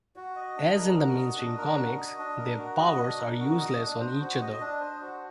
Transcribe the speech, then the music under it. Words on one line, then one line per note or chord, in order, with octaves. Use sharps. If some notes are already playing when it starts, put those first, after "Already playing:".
As in the mainstream comics, their powers are useless on each other.
F#4
D#5
D4
A#4
F#4
D#5
D4
A#4
F#4
D#5
D4
A#4
F#4
D#5
D4
A#4
F#4
D#5
D4
C5
F#4
D#5
D4
C5
F#4